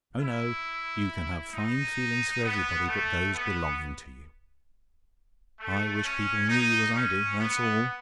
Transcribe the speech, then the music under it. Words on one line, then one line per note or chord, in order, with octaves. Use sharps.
Oh, no! you can have fine feelings for everybody but those belonging to you. I wish people knew you, as I do--that's all.
E4
D#4
B3
A3
B3
A3
C#4
D#4
C#4
B3